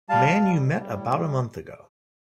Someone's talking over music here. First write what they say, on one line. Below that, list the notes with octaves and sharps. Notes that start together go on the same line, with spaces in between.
Man you met about a month ago.
G3 F5 A5
B2
G3
B2
G3
A2
G3